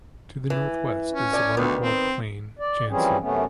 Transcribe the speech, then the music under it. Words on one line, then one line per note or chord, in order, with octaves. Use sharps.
To the northwest is the large walled plain Janssen.
E3
C#4
D5 G#5
D2 D#3 B3
C4
D5
E3 F3 G3 C4 C#4 G#4
F#2 C3 A3 B3 C#4